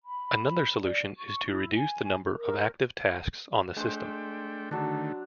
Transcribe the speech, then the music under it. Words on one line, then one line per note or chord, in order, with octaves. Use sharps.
Another solution is to reduce the number of active tasks on the system.
B5
D5
C#6
E4
G#5
A#4
G#3 A3 D4 C5 G5
D3 D#3 F#3 A3 D4